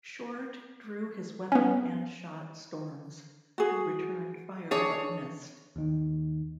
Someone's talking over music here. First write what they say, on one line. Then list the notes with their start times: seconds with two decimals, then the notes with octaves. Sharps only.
Short drew his weapon and shot Storms, who returned fire but missed.
1.52 B3 C#4
3.58 F#4 G#4
4.71 D4 G#4 C#5
5.76 D#2 D#3